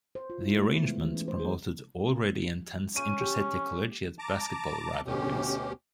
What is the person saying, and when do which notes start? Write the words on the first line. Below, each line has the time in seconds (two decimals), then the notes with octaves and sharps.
The arrangement promoted already intense inter-city collegiate basketball rivalries.
0.15 C5
0.30 F4
0.41 E4
0.59 A3
0.71 B3
0.87 G#3
1.01 E3
1.15 C#4
1.28 C5
1.40 G#4
2.96 C#4 D#7
3.21 G4
4.19 A5 A#5 D6
5.06 D2 B2 C#4 G4